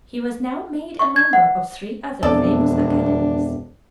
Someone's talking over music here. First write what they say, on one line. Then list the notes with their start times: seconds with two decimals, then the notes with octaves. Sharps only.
He was now made a member of three other famous academies.
0.99 C#6
1.16 G#6
1.33 F#5
2.23 E1 F2 B3 C4 D4 A4 D5